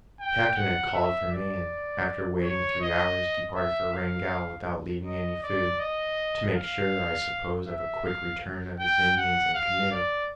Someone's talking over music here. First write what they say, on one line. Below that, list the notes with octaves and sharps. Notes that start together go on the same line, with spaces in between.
The captain had called for me, and, after waiting three hours, departed for Wrangell without leaving any food, to make sure, I suppose, of a quick return of his Indians and canoe.
G5
F#5
E5
D5
C#5
D#5
E5
F5
D#5
D5
D#5
F5
E5
F5
G5
F#5
F5
D5